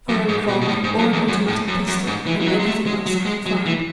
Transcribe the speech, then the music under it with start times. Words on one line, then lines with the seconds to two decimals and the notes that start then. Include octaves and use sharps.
"For a revolver or an automatic pistol and anything else I can find."
0.09 F#2
0.28 G#2
0.48 B2
0.61 B2
0.68 A2
0.84 G#2
0.98 F#2
1.13 E2
1.28 F#2
1.48 A2
1.67 F#2
1.87 F#2
2.07 G#2
2.27 E3
2.41 E3
2.47 F#3
2.60 G#3
2.66 A3
2.86 G#3
3.06 F#3
3.26 G#3
3.46 F#3
3.66 E3